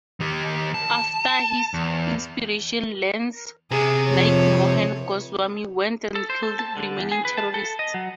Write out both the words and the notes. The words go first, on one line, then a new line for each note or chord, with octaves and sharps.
After his inspiration Lance Naik Mohan Goswami went and killed remaining terrorists.
D#3 G4
A5
E2
C3 G#4
F2 C#5
A4
C5
A4
A5
D3
E2
G#4
B4
A5
A4
D#5
F#3